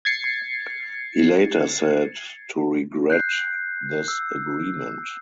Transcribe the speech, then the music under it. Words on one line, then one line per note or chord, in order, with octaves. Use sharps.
He later said to regret this agreement.
G#6 A6 C7 C#7
F#6 G6 C7
E6